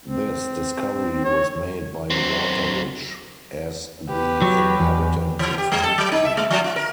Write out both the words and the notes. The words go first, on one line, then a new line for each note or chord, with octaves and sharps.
This discovery was made by a water-witch, as the inhabitants informed me.
C4
C#5
F#3 C4
G4 B4
F#3
E2
E3
G4
G3
A4
F#3
D#4
E5
G#3
F3
F4
A#4